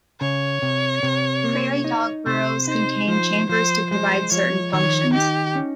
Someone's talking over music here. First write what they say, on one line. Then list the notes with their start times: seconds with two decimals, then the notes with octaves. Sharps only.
Prairie dog burrows contain chambers to provide certain functions.
0.21 C#3 C#5
0.62 C3
1.03 C3
1.44 A#3
1.84 D#4
2.26 C3 C5
2.67 D#4 C5
3.08 F3 C5
3.49 F3 C5
3.90 G#3 C5
4.32 F3 C#5
4.72 D#3 C#5
5.13 D#4 G4
5.55 C#4